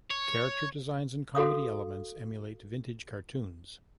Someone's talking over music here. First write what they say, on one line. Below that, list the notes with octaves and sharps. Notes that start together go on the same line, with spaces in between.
Character designs and comedy elements emulate vintage cartoons.
C#5
F#4 A4 F5 D#6